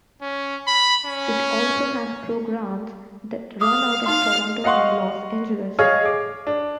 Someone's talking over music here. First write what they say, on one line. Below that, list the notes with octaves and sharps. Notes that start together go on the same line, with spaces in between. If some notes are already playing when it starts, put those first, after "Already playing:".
It also has programs that run out of Toronto and Los Angeles.
C#4
B5
C#4
F5 D6 D#6
D#4 F5 C6
D#5 F5 F#5 C6 C#6
G#4 C#5 D#5 F5 C#6 F6
D6
D4